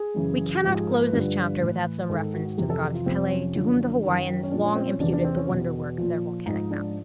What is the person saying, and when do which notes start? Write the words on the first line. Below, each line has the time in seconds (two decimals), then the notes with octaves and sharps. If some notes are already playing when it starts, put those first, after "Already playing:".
We cannot close this chapter without some reference to the Goddess Pele, to whom the Hawaiians long imputed the wonder-work of their volcanic mountains.
Already playing: G#4
0.14 F#2 C#3 E3
0.63 G#2 F3 G4
0.75 G#4
0.87 A#4
1.00 B4
1.12 G2 D3 F3
1.60 A2 E3
2.09 G#2 D#3 A4
2.34 F#4
2.57 F2 C3 E3 G4
2.70 A4
2.83 G4
2.94 F4
3.06 F2 C3 F3 C4
3.30 C#4
3.55 F#2 D3 F3
4.03 F#2 D#3
4.43 C#4
4.51 A#2 F3 D4
4.65 C#4
4.76 C4
4.88 C#4
5.00 E2 C3 E3 D4
5.13 D4
5.24 C4
5.37 C#4
5.49 E2 B2
5.98 A#2 F3
6.46 G#2 F3 D#4
6.71 D4